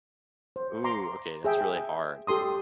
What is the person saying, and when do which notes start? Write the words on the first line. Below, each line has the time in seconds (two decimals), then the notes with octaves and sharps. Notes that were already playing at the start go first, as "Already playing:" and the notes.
Ooh, okay, that's really hard.
0.56 C5
0.84 A#5 C6 D6
1.45 G#4 E5 G5
2.27 G4 A4 C6 D#6